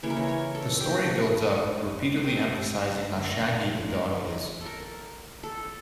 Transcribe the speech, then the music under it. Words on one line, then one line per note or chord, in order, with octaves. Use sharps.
The story builds up, repeatedly emphasizing how shaggy the dog is.
C#3 E3 A#3 C#5
A#4
C#5
C#5
A4
G4
G4
A4
D3 A3
A#4
A4
A#4
A4